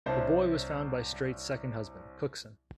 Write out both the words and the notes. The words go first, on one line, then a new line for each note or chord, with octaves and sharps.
The boy was found by Straight's second husband, Cookson.
C2 D4 C5 C#5 E5 A5